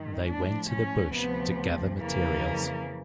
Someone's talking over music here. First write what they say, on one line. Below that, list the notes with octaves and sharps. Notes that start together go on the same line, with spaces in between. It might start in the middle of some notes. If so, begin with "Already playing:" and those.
They went to the bush to gather materials.
Already playing: G2 D#3
A2 F3 D4
C#4
D2 C3 F3 B3
F2 C#3 E3 A#3